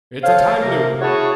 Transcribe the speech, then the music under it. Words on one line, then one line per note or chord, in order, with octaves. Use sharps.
It's a time loop!
A4 C5 C#5 F5
C3 A#3 A#4
E4 F#4 G#4 C#5 F#5 A5